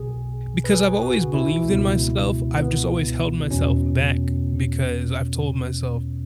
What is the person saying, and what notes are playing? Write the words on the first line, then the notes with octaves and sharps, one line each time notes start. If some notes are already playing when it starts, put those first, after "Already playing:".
because I've always believed in myself. I've just always held myself back because I've told myself
Already playing: B1 B2 G#4
B4
G#4
F#4
E4
C#2
B2
B3
E2 B2 C#4